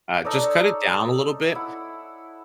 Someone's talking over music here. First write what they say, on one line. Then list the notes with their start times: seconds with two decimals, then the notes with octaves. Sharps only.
Uh, just cut it down a little bit,
0.25 D#4 A4 C#5 D5
1.55 E4 F#5